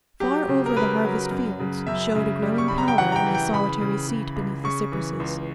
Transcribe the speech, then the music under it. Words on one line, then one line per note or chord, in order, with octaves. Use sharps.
Far over the harvest fields showed a growing pallor in the solitary seat beneath the cypresses.
F#3 G4
C#3
A#4
C#3 B4
F#3
F#2
C#3
F#2 E5
C#3
G3
C#6
C#3 B5
A#5
G5
E3 F#5
A#5
G5
E3
G5
C#3 B5
C#3
C#3
C#2
C#3 C#6
E3
C#2